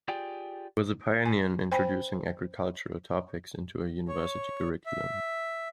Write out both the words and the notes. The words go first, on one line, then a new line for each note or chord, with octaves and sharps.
He was a pioneer in introducing agricultural topics into a university curriculum.
F4 G4 G#4 D5 G5
G#5
C5 G5 G#5 B5
C#5
E5